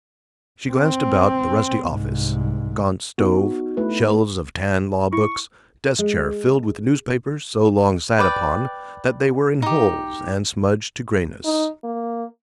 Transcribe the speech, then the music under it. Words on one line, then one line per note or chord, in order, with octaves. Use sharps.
She glanced about the rusty office--gaunt stove, shelves of tan law-books, desk-chair filled with newspapers so long sat upon that they were in holes and smudged to grayness.
C4
C2 G#2
B3 D#4 F#4
A3 E4 B4
E4 C#6
G#3
B4 D5 G5
D#4 G4
D#4
A#3